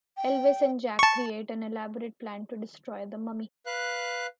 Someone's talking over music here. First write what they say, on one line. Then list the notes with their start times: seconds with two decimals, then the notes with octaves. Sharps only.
Elvis and Jack create an elaborate plan to destroy the mummy.
0.17 G5
0.99 A5 C#6
3.66 B4 F5 F#6